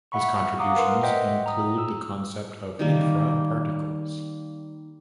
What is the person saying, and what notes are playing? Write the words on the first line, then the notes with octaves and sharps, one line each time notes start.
His contributions include the concept of infraparticles.
E5 F#5 B5 C#6
F5 F#5 A#5 D6 D#6
A#4 B4 F#5 C6
C5 D#5 E5 F#5 G5 C6
A#5 D#6
E6
D#3 G3 A#3